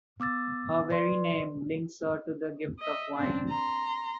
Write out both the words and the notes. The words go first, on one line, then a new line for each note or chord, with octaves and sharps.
Her very name links her to the gift of wine.
B3 D6 E6 A6
B4 D5 C6
D#5 E5
C4 D4
A#5 C6